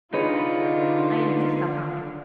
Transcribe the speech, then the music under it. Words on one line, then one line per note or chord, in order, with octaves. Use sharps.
I insist upon it.'
D3 D#4 F4 G#4 B4 C#5 C#7